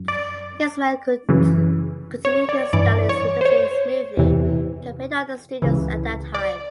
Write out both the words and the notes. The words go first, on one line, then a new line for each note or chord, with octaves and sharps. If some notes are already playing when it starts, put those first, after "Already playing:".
Ismail could continue his studies relatively smoothly compared to other students at that time.
Already playing: F#2
D5
F#2 C#3 E3
C#5
D5
G2 E3 D5
C#5
C5
C#5
E2 C3 E3
C#2 C#3 E3
D5